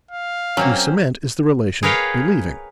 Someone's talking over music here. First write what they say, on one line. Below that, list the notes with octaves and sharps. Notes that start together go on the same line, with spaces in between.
The cement is the relation 'believing'.
F5
F#3 A#3 C4 C#4
G#4 A#4 B4 C#5 F5 G5